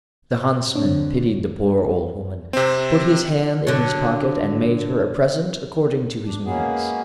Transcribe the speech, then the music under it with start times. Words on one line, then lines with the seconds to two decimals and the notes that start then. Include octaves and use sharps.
The Huntsman pitied the poor Old Woman, put his hand in his pocket, and made her a present according to his means.
0.75 D3 F#3 C4 D4 C#5
2.53 C3 C4
3.67 D3 F#3
6.24 D4
6.46 G#3 A#3 B3 C#4 F#4 G#4